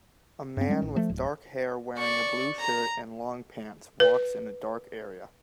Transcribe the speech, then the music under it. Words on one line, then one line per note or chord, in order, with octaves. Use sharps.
A man with dark hair wearing a blue shirt and long pants walks in a dark area.
G2 C4
G3 G#3 B3 C#4
A1
F3 A3
D1
D5 C#6
A#5
B4